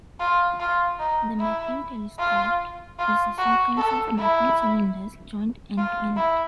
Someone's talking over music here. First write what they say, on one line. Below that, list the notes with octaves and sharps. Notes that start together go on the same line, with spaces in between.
The mapping telescope is a sequence of mapping cylinders, joined end-to-end.
F4
F4
D#4
E4
F4
F4
F#4
A4
E4
F4
E4